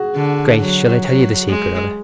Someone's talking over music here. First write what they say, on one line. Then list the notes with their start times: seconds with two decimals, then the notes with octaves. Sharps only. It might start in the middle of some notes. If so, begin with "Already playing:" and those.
Grace, shall I tell you the secret of it?
Already playing: F#4 G#4
0.15 D3
0.60 F#3
1.04 F#3
1.48 G#3